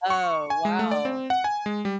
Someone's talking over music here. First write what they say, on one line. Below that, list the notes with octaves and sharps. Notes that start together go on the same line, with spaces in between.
Oh, wow.
C#6
G#5
G#3
A3
D5
C4
F#5
G#5
G#3
G3